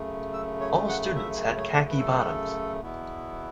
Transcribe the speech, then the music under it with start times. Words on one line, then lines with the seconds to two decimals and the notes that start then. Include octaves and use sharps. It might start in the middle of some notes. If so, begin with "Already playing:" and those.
All students had khaki bottoms.
Already playing: F#2 C#3 A3
0.34 E6
0.60 C#5
0.88 F#5
1.16 E5
1.57 C#5
1.90 B4
1.98 A4
2.80 E2 B2 B3 E4